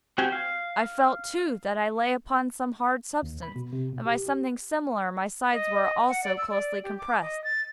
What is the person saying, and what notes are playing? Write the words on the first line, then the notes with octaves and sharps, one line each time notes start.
I felt, too, that I lay upon some hard substance, and by something similar my sides were, also, closely compressed.
C4 F#4 G4 G5 G#5
F5
D#2
B5
B2
C3
B2
G4
G4
D#5
F#5
D5
E6
D5
G4
D6
D#5
A6